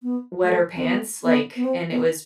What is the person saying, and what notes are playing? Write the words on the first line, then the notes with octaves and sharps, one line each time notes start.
wet her pants, like, and it was
B3
A3
C4
B3
B3
B3
C4
B3